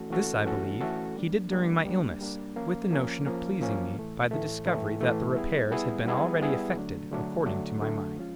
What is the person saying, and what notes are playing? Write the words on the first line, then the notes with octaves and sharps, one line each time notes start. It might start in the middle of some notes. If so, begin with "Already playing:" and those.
This, I believe, he did during my illness, with the notion of pleasing me by the discovery that the repairs had been already effected according to my mind.
Already playing: E3 A3 C#4 F#4 A4
E3 A3 C#4 F#4 A4
E3 A3 C#4 F#4 A4
E3 A3 C#4 F#4 A4
G3 A#3 D4
G3 A#3 D4
G3 A#3 D4
G3 A#3 D4
F3 A#3 C#4
F3 A#3 C#4
F3 A#3 C#4
F3 A#3 C#4
A2 E3 A3
A2 E3 A3
A2 E3 A3
A2 E3 A3
G3 B3 E4 G#4
G3 B3 E4 G#4
G3 B3 E4 G#4
G3 B3 E4 G#4
D3 F#3 A3 D4
D3 F#3 A3 D4
D3 F#3 A3 D4
D3 F#3 A3 D4
F3 G#3 C#4 F4